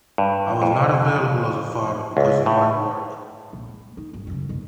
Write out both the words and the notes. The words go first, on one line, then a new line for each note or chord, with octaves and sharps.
I was not available as a father because of my work.
G2
F2
C#2
A2
A#1
G#3
D#4
G#1 F#2
F#2 C#3
D#2 B2